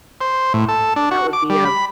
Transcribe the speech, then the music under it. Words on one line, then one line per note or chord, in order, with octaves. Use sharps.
that would be a
C5
A2
A4
D4
F#4
D6
G3
B5